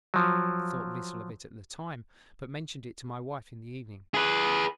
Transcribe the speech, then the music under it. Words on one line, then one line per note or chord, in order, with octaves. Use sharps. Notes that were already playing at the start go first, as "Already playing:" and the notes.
Thought little of it at the time, but mentioned it to my wife in the evening.
F3 F#3
G#4 B4